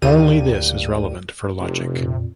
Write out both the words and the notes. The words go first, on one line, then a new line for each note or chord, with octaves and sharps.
Only this is relevant for logic.
D2 A2 G3 A#3 D#7
F1 C3
F2 A#2